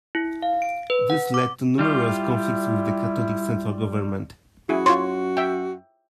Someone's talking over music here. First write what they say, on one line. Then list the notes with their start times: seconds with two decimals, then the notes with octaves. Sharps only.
This led to numerous conflicts with the Catholic central government.
0.15 E4
0.43 F5
0.62 D7
0.90 B4
1.10 F#5
1.34 D6
1.79 G3 E4 F4 G4
4.69 F#2 E4 F#4 G#4
4.86 F4 C#5 C6
5.37 E5 G5